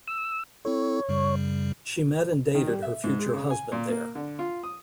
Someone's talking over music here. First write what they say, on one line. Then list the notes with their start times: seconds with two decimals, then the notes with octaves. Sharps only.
She met and dated her future husband there.
0.08 E6
0.65 C4 E4 A4 C#5
1.09 F#2 C#3 G3
2.55 D#3
2.67 G3
2.82 E5
3.04 G#2
3.19 G#3
3.34 C#3
3.50 G#5
3.72 A#2
3.89 A#3
4.15 D3
4.39 F4
4.63 D#6